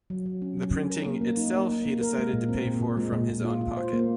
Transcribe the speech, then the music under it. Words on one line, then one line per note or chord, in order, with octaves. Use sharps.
The printing itself he decided to pay for from his own pocket.
F#3
F#3
C#4
F#3
C#4
A#4
A#3
A#3
D#4
A#3
A#3
A#3
A#4
G#3
A#2
C4
A#2
A#2
G#3
A#2
A#2
F4
F4
C5
A#3